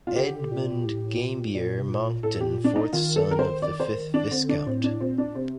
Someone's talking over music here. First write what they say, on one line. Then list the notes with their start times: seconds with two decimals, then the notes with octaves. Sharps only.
Edmund Gambier Monckton, fourth son of the fifth Viscount.
0.07 F4
0.16 D3 G4
0.51 A#2
0.85 A2
1.19 A#2
1.55 A#2
1.80 C3
1.89 A#2
2.23 A2 A4
2.40 G4
2.47 A#2
2.64 D4
2.76 D#4
2.93 D#3 F4
3.16 A4
3.28 D#3 A#4
3.39 D3 C5
3.50 D#3
3.62 D5
3.80 C5
4.14 D4
4.31 D3 C4
4.49 D4
4.66 A2 C4
4.84 D4
5.00 A#2 C4
5.18 D4
5.35 C3 C4